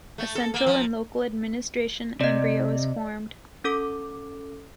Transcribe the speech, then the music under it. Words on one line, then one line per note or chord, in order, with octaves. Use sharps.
A central and local administration embryo is formed.
A3
A4
A#3
F3
C3 D5 D#5
C#4 A4 D6